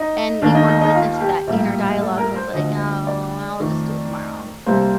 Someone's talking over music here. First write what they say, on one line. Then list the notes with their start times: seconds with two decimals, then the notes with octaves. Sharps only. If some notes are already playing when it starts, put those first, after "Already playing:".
And, you wanna listen to that inner dialogue that's like, "Oh, well I'll just do it tomorrow."
Already playing: D#4
0.42 D#2 D#3 A#3 D4
0.55 D#4
0.68 D#4
0.81 D#4
0.95 F4
1.21 G4
1.47 A#1 A2 G3 A#3
2.01 A4
2.18 A#4
2.36 C5
2.54 D2 D3 F3 A3 D#5
3.07 D5
3.59 F2 D#3 A3
4.66 C2 C3 G3 A#3 C5